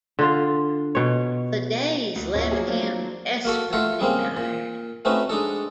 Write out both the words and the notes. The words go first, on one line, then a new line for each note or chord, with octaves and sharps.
The days left him desperately tired.
D3 F4 F5
B2 C#5
D2
D1 A#2 C#4 C#5 E5
F3 F#3 A#3 G#4
F#3 A#3 C4 D4 F4
A#3 F#4 A4
A3 F4 A4 F#5
C#3 G3 G#3 A#3 C4
A#2
A3 C4 C#4 D#4 F#4 B4
G#3 D4 D#4 A4